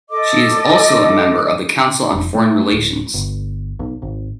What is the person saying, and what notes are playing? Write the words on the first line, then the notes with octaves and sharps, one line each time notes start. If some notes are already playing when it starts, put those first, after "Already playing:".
She is also a member of the Council on Foreign Relations.
A4 D#5 D6
F1
A3
D1
G1
B1
G#1